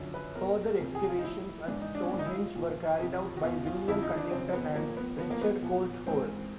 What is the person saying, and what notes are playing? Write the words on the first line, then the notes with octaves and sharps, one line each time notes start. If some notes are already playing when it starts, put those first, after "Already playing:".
Further excavations at Stonehenge were carried out by William Cunnington and Richard Colt Hoare.
Already playing: F#2 D3 F3
B4
E2 B2 A#4
F2 C3 E3
G#4
F4
D#4
A2 F3 E4
E4
G#2 E3 D4
D#4
D4
C#4
G#2 E3 D4
D#4
E4
F4
A#2 F3
F2 C3 F3
F#4
E2 B2 F4
F4
F2 D3 F3 E4
D#4
D4
F#2 C#3 F3 C4
B3
A2 F3 A#3
B3
A2 F3 B3
A#3
B3
A#2 F3
G#2 E3 C4